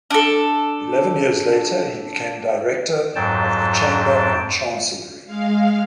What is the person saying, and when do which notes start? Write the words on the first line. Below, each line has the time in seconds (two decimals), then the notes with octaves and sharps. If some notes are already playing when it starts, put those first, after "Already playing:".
Eleven years later he became director of the chamber and chancellery.
0.10 D4 A4
3.15 F2 G#2 F#3 G5 A5
5.26 G#3 F5